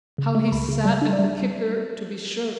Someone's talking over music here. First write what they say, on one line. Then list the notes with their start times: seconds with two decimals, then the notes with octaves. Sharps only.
How he sat the kicker to be sure!
0.18 C#3
0.35 A3
0.48 C#6
0.52 C#2 B5
0.69 C#3
0.85 G3 A5
1.02 D4
1.13 D5
1.18 G3 E5